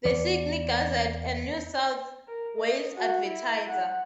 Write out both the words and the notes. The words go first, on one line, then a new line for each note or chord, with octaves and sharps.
The Sydney Gazette and New South Wales Advertiser.
E2 D5
A#4
D#5
F#4
E4
F#5